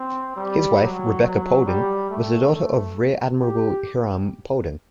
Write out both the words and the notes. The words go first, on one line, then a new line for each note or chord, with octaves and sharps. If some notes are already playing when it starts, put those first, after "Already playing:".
His wife, Rebecca Paulding, was the daughter of Rear Admiral Hiram Paulding.
Already playing: C4
G3
F#3
F#3
G3
A3
A3
G4